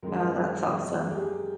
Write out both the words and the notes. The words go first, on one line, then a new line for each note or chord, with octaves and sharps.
Oh, that's awesome.
F#2 D#3 G#3 A#4
G4
G#4